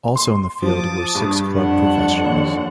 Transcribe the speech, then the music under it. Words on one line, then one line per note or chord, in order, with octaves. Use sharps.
Also in the field were six club professionals.
C6
F3 A5 D6 D#6
G2
F2 D4 F#5
D#2